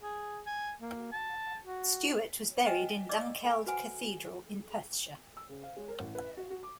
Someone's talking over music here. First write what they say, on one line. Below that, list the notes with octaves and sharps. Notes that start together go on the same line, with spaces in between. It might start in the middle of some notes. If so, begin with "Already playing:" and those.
Stewart was buried in Dunkeld Cathedral in Perthshire.
G#4
G#5
A#3
A5
F#4
B4 C5 D#5 G5 G#5
D5 D#5 D6 E6
A4 G#5 B5
F#4 B4 C5 F#5 G#5
E6
C#3
F5
G#3
A#4
A1
B4
F#4
F#4
D6